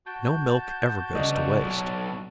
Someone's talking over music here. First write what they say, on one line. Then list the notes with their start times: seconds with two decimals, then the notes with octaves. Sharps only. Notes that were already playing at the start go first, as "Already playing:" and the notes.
No milk ever goes to waste.
0.06 F#4 A5 G6
1.15 C#2 D5 D#5
1.60 B1